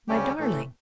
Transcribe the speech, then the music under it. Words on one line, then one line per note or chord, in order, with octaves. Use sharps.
"My darling!"
D2 C#3 G3 C#4 G4
A2 E3 A3